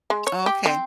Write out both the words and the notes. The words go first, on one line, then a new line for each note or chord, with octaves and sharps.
Oh, okay.
G#3
C#5
G4
C4